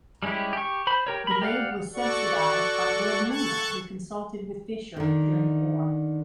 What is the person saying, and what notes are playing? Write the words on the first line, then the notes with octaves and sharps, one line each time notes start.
The League was subsidised by Lord Milner, who consulted with Fisher during the war.
G3 G#3 C#4 E4 G4
G4 C#6
C5 B5
G4 A#4 C#5
A#4 B5
G4 D5 F5 F#5
F#4 A4 D5 F#5 C#6
A4 A5 C#6 F#6 G#6
D3 D#3